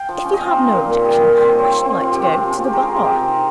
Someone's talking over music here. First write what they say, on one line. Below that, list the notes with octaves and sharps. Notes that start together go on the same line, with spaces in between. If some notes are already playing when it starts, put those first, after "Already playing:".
If you have no objection, I should like to go to the Bar.'
Already playing: F5 G5
F3
C#4
D#5
C4 F5
D#4
A#2
A#2
G3 D#5
D#3
C4 C5
F3 C5
C#5
C4 C5
C4
F3 F4
C3 G4
F4
C#4
C#4
G#3 G4
A#4
C4 G#4
C3 G4
C3
D#4